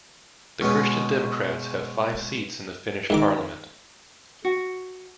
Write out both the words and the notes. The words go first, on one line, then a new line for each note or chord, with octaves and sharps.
The Christian Democrats have five seats in the Finnish Parliament.
B2 G#3 B3 C#4
G#2 D#3 D6
F#4